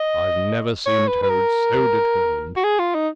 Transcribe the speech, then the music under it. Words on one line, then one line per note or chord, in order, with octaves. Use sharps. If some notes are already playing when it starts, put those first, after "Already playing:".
'I've never seen Toad so determined.
Already playing: D#5
C#5
B4
B4
A#4
F#4
G#4
F4
D#4